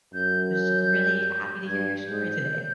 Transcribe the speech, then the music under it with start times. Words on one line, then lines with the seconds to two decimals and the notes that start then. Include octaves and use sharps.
was really happy to hear your story today.
0.14 F#2 G6
0.52 G6
1.67 G2 G#6
2.05 G#2 G6